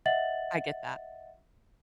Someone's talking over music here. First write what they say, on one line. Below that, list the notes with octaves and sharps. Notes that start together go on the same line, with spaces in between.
I get that.
D#5 E5 F#5 A6 F#7